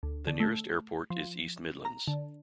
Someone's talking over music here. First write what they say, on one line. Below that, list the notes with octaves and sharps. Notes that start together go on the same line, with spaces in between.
The nearest airport is East Midlands.
D2
D3
A3
F3
A#5
D3